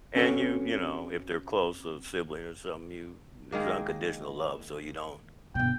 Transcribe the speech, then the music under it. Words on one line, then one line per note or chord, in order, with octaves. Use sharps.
and you you know, if they're close, a sibling or something, you there's unconditional love, so you don't
C4 C#4 F#4 A4 B4 C#5
D#3 G#3 A#3
G1 B2 G5